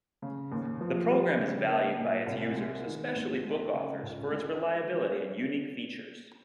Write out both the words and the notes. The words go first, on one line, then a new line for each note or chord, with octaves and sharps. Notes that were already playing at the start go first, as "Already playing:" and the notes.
The program is valued by its users-especially book authors-for its reliability and unique features.
C#3
D#2
F3
G3
C#3
A#3
A#2
C2
G#3
D#3
D#2
G#3
C#3
C#2
G#3